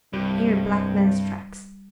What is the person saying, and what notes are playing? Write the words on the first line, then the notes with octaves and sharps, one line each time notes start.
Here black man's tracks.
C2 G2 G3